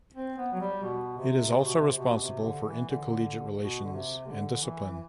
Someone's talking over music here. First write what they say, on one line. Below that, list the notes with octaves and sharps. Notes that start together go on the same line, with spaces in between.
It is also responsible for intercollege-relations and discipline.
C4
B3
F#3
G3
B2
C3
C3
B2
C3
C3
B2
C3
D3
D3
E3
D3
B2
D3
C3
D3
E3
E3